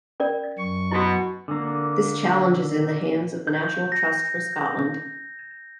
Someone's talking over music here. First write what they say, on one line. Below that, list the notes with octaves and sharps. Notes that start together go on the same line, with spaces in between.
This challenge is in the hands of the National Trust for Scotland.
C#4 A#4 D5
F#2 C#6
B2 E4 F#4
D3 A#3
G6
A#6